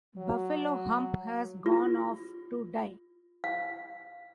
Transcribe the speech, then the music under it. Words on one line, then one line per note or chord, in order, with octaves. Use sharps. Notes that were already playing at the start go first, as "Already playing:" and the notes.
Buffalo Hump has gone off to die.
F#3
F4
F5